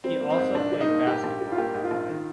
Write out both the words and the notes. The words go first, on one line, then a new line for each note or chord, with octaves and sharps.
He also played basketball.
G3 C4
A#3
C4
G#2
A#1 D4
G3
D#4
A#3
G#2 G4
A#1
G3
F4
A#3 G4
G#2
F4
A#1
D#3